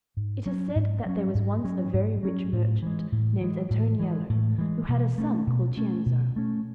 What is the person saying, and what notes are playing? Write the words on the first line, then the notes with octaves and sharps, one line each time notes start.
It is said that there was once a very rich merchant named Antoniello, who had a son called Cienzo.
G#2
F#3 C#4
G#2
F#3 C#4
G#2
F#3 C#4
G#2
F#3 C#4
A2
E3 G#3
A2
E3 G#3
A2
E3 G#3
A2
E3 G#3
B2
A3 C#4
B2
A3 C#4
B2
A3 C#4